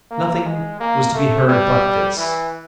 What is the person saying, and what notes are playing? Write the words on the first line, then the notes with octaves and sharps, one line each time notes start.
Nothing was to be heard but this.
A#3
G#3
A#3
A3
G3
E3